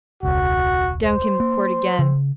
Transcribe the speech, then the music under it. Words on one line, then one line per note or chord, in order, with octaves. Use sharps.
Down came the quirt again.
E1 C#2 F#4
C5
A#3
C#3